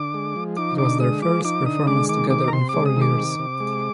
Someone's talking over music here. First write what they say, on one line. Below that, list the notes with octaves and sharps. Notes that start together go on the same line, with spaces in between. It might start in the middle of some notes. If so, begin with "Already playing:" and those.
It was their first performance together in four years.
Already playing: D3 D6
G#3
F3
D#4 D6
D3 D6
G#3 D#6
F3 D6
D#4 D6
D3 D#6
G#3 D6
D#3 D6
C3 D6
A#5
C3 C6
G#3 D6
D#6
D#3
D6
C3
C3
G#3